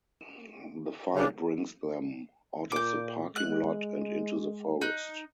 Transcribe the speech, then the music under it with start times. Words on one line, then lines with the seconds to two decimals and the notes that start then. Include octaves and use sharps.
The fight brings them out of the parking lot and into the forest.
1.15 C#3 D4
2.72 A#2 D6 G6
3.36 G#3 F#6
4.81 D#4 F#6